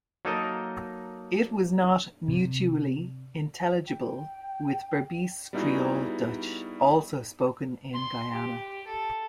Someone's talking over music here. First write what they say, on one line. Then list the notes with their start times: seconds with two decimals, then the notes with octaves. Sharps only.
It was not mutually intelligible with Berbice Creole Dutch, also spoken in Guyana.
0.25 F#3 A#3 D#4 A4 A#4 D#5
2.28 C3
3.87 G5
5.53 G3 B3 D#4 E4 F#4 G#4
7.94 C6
8.33 G4
8.87 A4